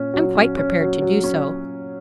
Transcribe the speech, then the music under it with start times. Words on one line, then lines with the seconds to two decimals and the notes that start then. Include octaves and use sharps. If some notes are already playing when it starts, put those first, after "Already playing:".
I'm quite prepared to do so.
Already playing: A#2 C#4
0.14 F#3
0.35 C#4
0.58 C#4
0.80 F#3
1.02 F#3
1.24 C#4